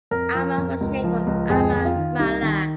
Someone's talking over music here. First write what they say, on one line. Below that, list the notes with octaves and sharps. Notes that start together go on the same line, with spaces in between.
Alma was named for Alma Mahler.
F2 A#4
F3
F2
C#2
F3
C#2
F2 G#4
F2
F4
D#3
C2 D#4
D#3